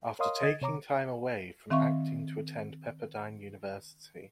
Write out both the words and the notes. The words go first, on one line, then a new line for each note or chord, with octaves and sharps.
After taking time away from acting to attend Pepperdine University.
A#4 C#5 D#5 F5 C6 D#6
D3 D#5 G#6 A6
C3 C#5 A#5 D6
D#3 C4 E5 F5 C#6